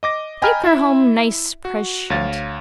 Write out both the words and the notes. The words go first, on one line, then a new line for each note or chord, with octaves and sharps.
Take her home nice preshent.
D#5 D6 A#6
D#5 G5 G#5 A#5 B5 F6
E4 E5
F#4
D2 C#5 F5 A6